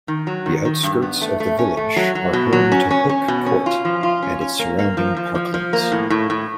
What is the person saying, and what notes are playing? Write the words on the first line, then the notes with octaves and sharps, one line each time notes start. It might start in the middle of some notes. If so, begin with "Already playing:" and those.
The outskirts of the village are home to Hooke Court and its surrounding parklands.
D#3
F#3
D#3
D#3
G2
B3
A3
A3
C#4
A3
F#3
F#3
B2
F#3
C#4
C#4
C#4
B2
C#4
F4
F3
F4
C#4
C#4
A#3
A#3
F3
F3
F3
F3
A#3
A2
A2
A2